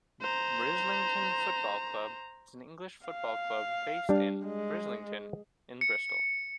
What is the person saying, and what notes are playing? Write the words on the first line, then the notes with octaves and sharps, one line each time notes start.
Brislington Football Club is an English football club based in Brislington, in Bristol.
C5 A#5
F5
G3 D4
G#3
C#7